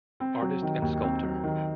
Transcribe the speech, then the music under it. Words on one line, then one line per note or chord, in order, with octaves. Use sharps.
Artist and sculptor.
C4
F#3
D#3
D#2
C4
F#3
D#3